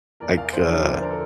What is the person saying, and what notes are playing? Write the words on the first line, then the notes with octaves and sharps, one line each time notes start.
like, uh,
E2 A#4 D5
E2 D5 F5
F3 C5 E5
D3 A#4 D5
E2 D5
C5
A#4
A4